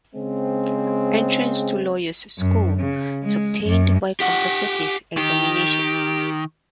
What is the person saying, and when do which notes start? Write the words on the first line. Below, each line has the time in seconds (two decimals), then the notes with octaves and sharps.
Entrance to Lawyer's School is obtained by competitive examination.
0.16 C#3 G#3 C4
2.39 F#2
2.80 C#3
3.23 G#3
3.64 F#2
4.20 G4 F#5
5.17 D#3 G4